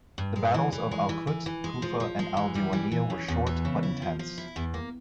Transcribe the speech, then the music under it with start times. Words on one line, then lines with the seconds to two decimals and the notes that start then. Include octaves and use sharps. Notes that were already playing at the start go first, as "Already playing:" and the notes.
The battles of Al Kut, Kufa, and Al Diwaniyah were short, but intense.
0.18 G2
0.36 G#3
0.54 E3
0.72 E3
0.91 G#3
1.09 E3
1.27 E3
1.46 E3
1.64 G#3
1.82 F3
2.00 F3
2.19 G#3
2.37 E3
2.55 G3
2.73 E3
2.91 E3
3.10 C#3
3.28 E2
3.47 E3
3.65 C#3
3.83 E4
4.02 F3
4.19 F3
4.38 E4
4.56 E2
4.74 A#3